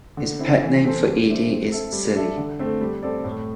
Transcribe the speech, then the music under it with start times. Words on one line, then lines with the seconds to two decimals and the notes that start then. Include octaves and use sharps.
His pet name for Edie is "Silly".
0.17 D3
0.39 C4 E4
0.62 E3
0.84 C4 A4 C5
1.06 G3
1.27 D4 C5 E5
1.49 C4
1.72 A4 E5
1.93 G3
2.15 D4 A4 E5
2.37 D3
2.59 A3 C4
2.81 G3
3.03 C4 A4 D5
3.24 A2